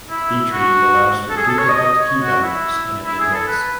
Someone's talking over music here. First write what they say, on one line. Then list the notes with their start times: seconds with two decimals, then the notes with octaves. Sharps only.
Btrieve allows for duplicate key values in an index.
0.10 E4
0.52 F#4
1.30 A4
1.37 G#4
1.48 A4
1.59 C#5
1.69 D#5
1.80 D#5
2.01 C#5
2.21 F#4
2.42 E4
3.06 E4
3.20 G#4
3.34 A4
3.48 B4